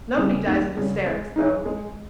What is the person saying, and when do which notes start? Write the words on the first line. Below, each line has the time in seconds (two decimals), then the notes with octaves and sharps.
Nobody dies of hysterics, though.
0.17 C#3 G3 C#4 G#4
0.47 D#2
0.77 C#3 G3 C#4 G#4
1.06 G#3
1.36 D#4 G#4 C#5
1.66 G#3